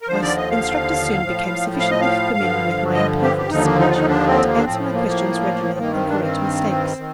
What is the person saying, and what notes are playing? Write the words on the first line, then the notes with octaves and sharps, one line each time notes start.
My instructors soon became sufficiently familiar with my imperfect speech to answer my questions readily and correct mistakes.
A#4
D#2 D3 F3 C5
D5
D#5
F5
A2 F3
F5
D#5
F5
G2 D3 F3
D#5
G4
G4
D#2 D3 F3 D#4
A#3
D#4
F4
D#4
D4
C4
A#3
D4
A2 F3 C4
A#3
A#3
G2 D#3 A#3
C4
D4
C4
D#3